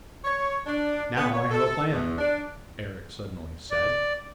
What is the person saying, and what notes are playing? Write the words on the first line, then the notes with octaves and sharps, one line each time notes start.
"Now I have a plan," Eric suddenly said.
C#5
D4
B3
C#5
A4
E2
D4
D5